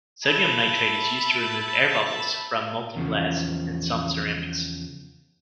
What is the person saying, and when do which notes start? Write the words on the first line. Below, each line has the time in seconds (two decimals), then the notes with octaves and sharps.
Sodium nitrate is used to remove air bubbles from molten glass and some ceramics.
0.25 E5 A5 B5
2.96 E2 C#3 F3